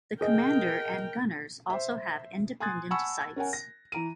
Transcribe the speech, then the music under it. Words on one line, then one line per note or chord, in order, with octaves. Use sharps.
The commander and gunners also have independent sights.
G#4 A#4 D#5 G5
C5 E5
G#5 C6 D#6 F#6 G#6 A6
F#5 G#5 A5 B5 C#6 E6
C#4 A#4 F#5 G#5
A#6
E3 A#5 D7 D#7